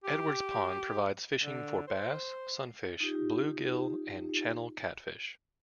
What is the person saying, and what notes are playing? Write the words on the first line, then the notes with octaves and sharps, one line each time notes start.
Edwards Pond provides fishing for bass, sunfish, bluegill and channel catfish.
G4
D3
C5
D#4 F4 G4